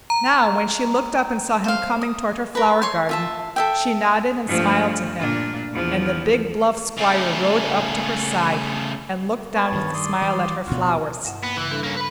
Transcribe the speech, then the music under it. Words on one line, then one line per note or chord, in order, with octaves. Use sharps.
Now, when she looked up and saw him coming toward her flower-garden, she nodded and smiled to him, and the big bluff Squire rode up to her side, and looked down with a smile at her flowers.
A#5
C5 F5
D#6
A#4 B4
C#5 C6
F4 E5 A5
A4 E5 G5
G2 F3 A3
A#2 D4 F4
E2 F3
C#3 A3
B3 C#5 A5
G2 D#3
D5 C6 D#6
E3 G3
D2 B2 F4 F#4
G2 F#5
A#3 B3
C#3 E3 E6
G3 D4 A4
A#3 C#4
B4 B5